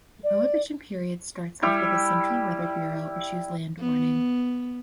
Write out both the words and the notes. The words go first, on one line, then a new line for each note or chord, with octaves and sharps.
The prohibition period starts after the Central Weather Bureau issues land warning.
D5
G3 E4 G4
B3